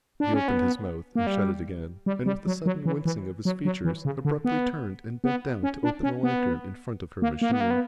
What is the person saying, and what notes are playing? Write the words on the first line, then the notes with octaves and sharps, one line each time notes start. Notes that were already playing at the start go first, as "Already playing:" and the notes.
He opened his mouth and shut it again, and, with a sudden wincing of his features, abruptly turned and bent down to open the lantern in front of her machine.
D4
C#4
B3
A#3
G3
G3
G3
F#3
F#3
E3
E3
F#3
F#3
E3
C#3
D3
B3
B3
C#4
D4
C#4
B3
A#3
A#3
B3
A#3
B3